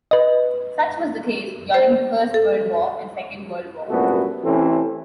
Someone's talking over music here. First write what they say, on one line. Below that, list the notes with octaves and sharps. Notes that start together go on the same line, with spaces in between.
Such was the case during the First World War and Second World War.
B4 D#5
C5
A4
C2 F#2 A#2 A3 B3 F#4
A1 C3 E3 C4 C#4 A4